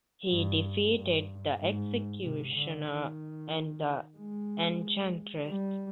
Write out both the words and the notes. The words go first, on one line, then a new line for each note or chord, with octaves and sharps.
He defeated the Executioner and the Enchantress.
G2
G2
G#2
C3
D3
D#3
G#3
G3